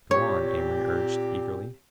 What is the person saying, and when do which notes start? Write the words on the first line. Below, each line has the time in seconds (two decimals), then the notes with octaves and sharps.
"Go on," Amory urged eagerly.
0.11 A#2 C4 G4 C#5